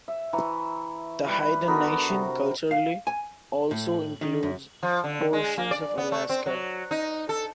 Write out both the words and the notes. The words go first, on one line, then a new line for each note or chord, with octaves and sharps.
The Haida Nation, culturally, also includes portions of Alaska.
E5
E3 A#5 C#6
G3 B4
D3 B3 F#4 A#4
C3
F5
G#5
A2
D#3
F#2
F3
D3
G#3
A#3
D5
B3
A3
C4
F#3
D#4
A4